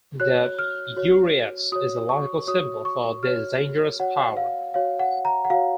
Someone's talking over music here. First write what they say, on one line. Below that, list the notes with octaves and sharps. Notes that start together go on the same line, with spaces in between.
The uraeus is a logical symbol for this dangerous power.
F#4 C#5 F#6
F6
F#4 C#5
F#4 C#5 D#6
C#6
F#4 C#5 D#6
C#6
F#4 C#5 F6
F#4 C#5 F#5
F5
F#4 C#5 F5
F#5
A#5
F#5
F#4 C#5 F5